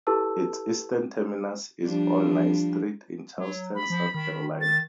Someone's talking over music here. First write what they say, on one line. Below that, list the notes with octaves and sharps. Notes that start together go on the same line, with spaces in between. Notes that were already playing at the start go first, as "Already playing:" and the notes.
Its eastern terminus is on Line Street, in Charleston, South Carolina.
E4 G4 A4 B4 A5 E6
F3 G3 D4
F#3
B5
F3
D#3
A6